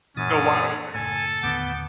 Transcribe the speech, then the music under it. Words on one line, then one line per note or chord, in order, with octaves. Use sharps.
go wide open.
F#2 A#2 E3 C#4 D#6 A6
F#1 A2 A4 G#5
D#2 A2 D3 B3 D6 G6